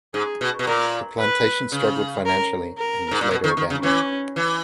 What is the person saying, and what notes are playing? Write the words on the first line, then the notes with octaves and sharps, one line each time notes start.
The plantation struggled financially and was later abandoned.
G#2 G#4
B2
B2
A#2 A#4
B4
C#3
A#4
A#4
G#2
A#2
B2
D#3
D#3
C#3
E3 C#4
E3